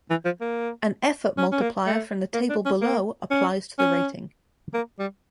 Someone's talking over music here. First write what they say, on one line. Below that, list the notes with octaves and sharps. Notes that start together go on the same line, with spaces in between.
An effort multiplier from the table below applies to the rating.
E3
F3
A#3
C#4
C#4
A#3
A3
A#3
D4
C#4
A#3
C#4
C#4
A#3
G3